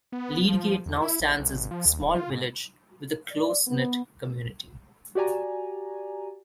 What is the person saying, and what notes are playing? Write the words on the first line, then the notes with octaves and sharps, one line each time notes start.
Leadgate now stands as a small village with a close-knit community.
B3
F3
E2
E4
A#1
C2
G#1
F3
D#2
D1
F4
G#2
D5
B3
F#4 G4 D5 G#5 A#5